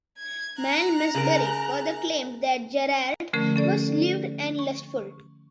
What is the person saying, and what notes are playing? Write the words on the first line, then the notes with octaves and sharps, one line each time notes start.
Malmesbury further claimed that Gerard was "lewd and lustful".
G#6
A#5 F#6
C#3 G#4 A#4
D3 F3 A3 C#4 A#4
C#4 A4 D5
C#6